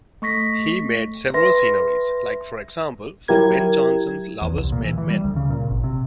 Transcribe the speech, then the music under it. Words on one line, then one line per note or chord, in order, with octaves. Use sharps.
He made several sceneries, like for example for Ben Jonson's Lovers Made Men.
A3 C#6 A#6 B6
B4 E5 C6 A#6
F#3 E4 G4 A#4 G#6
E2
C2
A#2
E3
E3
G3
D2
C#3
A#2
G#1
C3